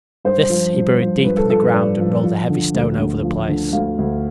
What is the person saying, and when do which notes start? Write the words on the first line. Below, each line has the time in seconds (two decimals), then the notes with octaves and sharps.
This he buried deep in the ground and rolled a heavy stone over the place.
0.25 G2 C5
0.50 F3
0.74 G2
1.00 F3
1.24 G2 B4
1.37 A4
1.50 F3 A4
1.62 B4
1.74 G2 D5
1.99 F3
2.24 F3
2.49 D3
2.74 D2
2.99 D2
3.23 F3
3.48 D3
3.73 D2 F5
3.98 D2